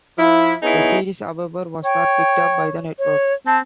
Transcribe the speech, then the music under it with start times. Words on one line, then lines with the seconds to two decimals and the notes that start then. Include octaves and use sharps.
The series, however, was not picked up by the network.
0.18 F3 E4
0.62 B3 D#4 E4 G#4 C#5
1.84 C#5 G5
2.99 C#5
3.47 C4 A5